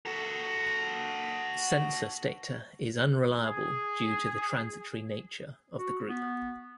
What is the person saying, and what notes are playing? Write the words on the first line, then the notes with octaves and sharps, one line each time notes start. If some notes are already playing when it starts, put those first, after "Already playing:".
Census data is unreliable due to the transitory nature of the group.
F#4 A4
G#4
F#4
B3